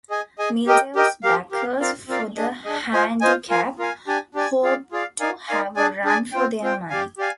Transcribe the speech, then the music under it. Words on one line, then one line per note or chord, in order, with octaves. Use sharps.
Mildew's backers for the Handicap hoped to have a run for their money.
G#4 D#5 G#5
G#4 D#5 G#5
G4 A#4 D#5 G5
G4 A#4 D#5 G5
G4 A#4 F5
G4 A#4 F5
C4 F4 A#4 D5 F5
C4 F4 A#4 D5 F5
D4 G#4 D#5
D4 G#4 D#5
F4 C5 D#5 G#5
F4 C5 D#5 G#5
F4 A#4 F5 G#5
F4 A#4 F5 G#5
D4 G4 D5 G#5
D4 G4 D5 G#5
F4 G#4 D5 F5
F4 G#4 D5 F5
D#4 A#4 D5 F5 G#5
D#4 A#4 D5 F5 G#5
D4 G#4 D5 G#5
D4 G#4 D5 G#5
C4 F4 C5 G5
C4 F4 C5 G5
G4 D5 F5 G#5
G4 D5 F5 G#5